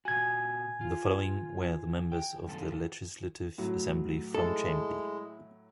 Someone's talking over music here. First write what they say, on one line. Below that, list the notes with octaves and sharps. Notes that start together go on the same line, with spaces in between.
The following were the members of the Legislative Assembly from Chambly.
A#2 F#4 G#5 G#6
F4
G5
F#2 D#3 A4
A2 F#3
G#3 E4 A4